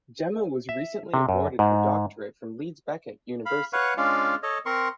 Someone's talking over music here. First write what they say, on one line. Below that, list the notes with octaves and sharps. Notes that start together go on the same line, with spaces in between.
Gemma was recently awarded her doctorate from Leeds Beckett University.
E5
C3
F#2
G#2
F5 B5
B4 C#5 F5 F#5 C#6
G#3 C#4 D4 F4 F5
A4 C#5 D#5
C4 A#4 C6 C#6